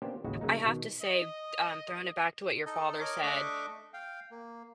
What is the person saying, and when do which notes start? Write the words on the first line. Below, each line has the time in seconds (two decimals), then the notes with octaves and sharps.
I have to say, um, throwing it back to what your father said,
0.02 A#3 B3 C#4 D4 G4 C5
0.24 A1 D#2 C#3 G#3 F#4
0.41 C#3 F#3 G#3 A#3 D#4
0.65 B2 D#3
1.02 D#5
2.66 D#4 A4 D#5
3.00 A#4 C#5 D#5 D6
3.23 A3 D4 D#5 E5 C#6 D6
3.93 F5 G5
4.31 A#3